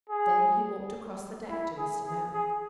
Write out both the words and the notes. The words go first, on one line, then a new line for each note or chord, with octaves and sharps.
Then he walked across the deck to Mr. Merrick.
G#4
E4
G#4
G#4
G#4